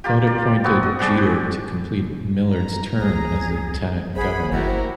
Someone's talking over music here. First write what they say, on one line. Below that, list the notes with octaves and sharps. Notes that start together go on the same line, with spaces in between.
Budd appointed Jeter to complete Millard's term as Lieutenant Governor.
A#3 F4 G4
D5
B3 C4 F#4
D#5
D4 F#4 G#4 D5
G4
A#5
C#2 G#4
A1 G#4 C5 F#5 B5
G1 E4 F#4 G4 A#4